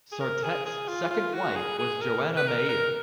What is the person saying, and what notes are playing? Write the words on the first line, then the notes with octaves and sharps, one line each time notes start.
Sarstedt's second wife was Joanna Meill.
G#4
A#4
G#4
G#4
F4
F4
F#4
G#4
G#4
A#4
B4
A#4
A#4